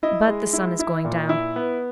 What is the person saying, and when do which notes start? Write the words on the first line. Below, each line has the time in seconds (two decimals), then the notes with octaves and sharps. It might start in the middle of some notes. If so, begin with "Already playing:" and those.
But the sun is going down.
0.03 E4 D#5
0.27 G#3
0.53 E4
0.79 E4
1.05 A#2
1.29 E4
1.56 B3